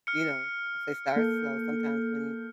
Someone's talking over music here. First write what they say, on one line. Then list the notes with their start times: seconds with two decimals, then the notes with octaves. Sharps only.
you know, if they start slow sometimes when
0.07 F6 C#7
1.16 A#3 A4 G6